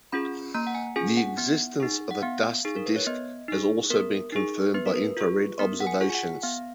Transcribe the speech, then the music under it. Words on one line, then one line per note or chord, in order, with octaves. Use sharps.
The existence of a dust disk has also been confirmed by infrared observations.
C#4 F4 G#4 B5
A#3 A#5
F#5
G#5
C#4 F4 G#4 G#5
F#5
B3
D#4 G#4
F#5
B3 F5
D#4 G#4
A#4
B4
C#5
B3 D#5
D#4 G#4
B3 A#4
D#4 G#4
B3 B4
A#4
B4
F4 G#4
B3 A#4
F#5
G#5
F4 G#4
G#5
F#5
B3 F5